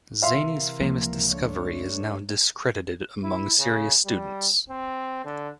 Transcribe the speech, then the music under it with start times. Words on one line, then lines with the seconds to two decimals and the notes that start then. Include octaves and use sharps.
Zani's famous discovery is now discredited among serious students.
0.22 C3 E3 A#4 E5 F5 C6
0.80 C#2 F3 A#3
1.28 A3 D4 C#5
3.24 E4
3.59 C#3
4.06 G3
4.70 C4
5.25 D3